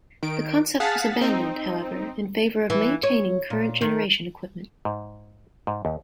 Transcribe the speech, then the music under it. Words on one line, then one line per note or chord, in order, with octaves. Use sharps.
The concept was abandoned, however, in favor of maintaining current-generation equipment.
D#3 D7
G#4 F5 F#5 A5 A6 B6
C4 D#4
E3
C#5
A#2
D#3
G#2
G#2
D#2